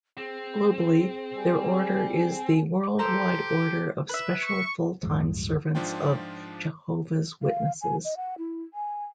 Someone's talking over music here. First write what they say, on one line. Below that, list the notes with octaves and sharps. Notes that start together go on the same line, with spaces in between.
Globally, their order is the "Worldwide Order of Special Full-Time Servants of Jehovah's Witnesses".
C4 G#4
G3 G#5
G4 A4 C5 A#5
B4 E5
C#6
D1 G2 F3 G#3
G#2 F3 D4 F4 G5
F5
G#5
D#5
F#5
E4
G#5